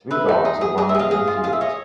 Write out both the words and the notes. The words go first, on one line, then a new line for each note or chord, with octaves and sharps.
Three dogs are running in a field.
B4 E5
D#4
G#4
G#4
G#4 D#5
E5
G#4 D#5 F5
G#4
F4
G#4 F5
E5
C#5 D#5